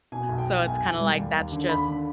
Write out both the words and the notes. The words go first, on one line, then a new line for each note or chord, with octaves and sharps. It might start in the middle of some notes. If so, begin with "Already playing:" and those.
so it's kinda like that's just
B2 G#5
B1
G5
B1
B1 G#5
B1
G3
D#2
D#2
D3
D#2 B5
D3